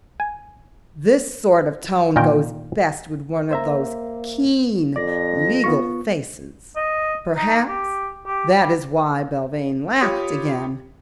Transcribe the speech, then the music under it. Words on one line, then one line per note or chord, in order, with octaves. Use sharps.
This sort of tone goes best with one of those keen legal faces; perhaps that is why Belvane laughed again.
G#5
A#2 D#3 A#4 G5
A#3 C5 E5 A#5
F2 D5 A#6
B3 F4 C#6
D#5
D#4
G4
G4
G3
F4 G4 C#5 B5 D#6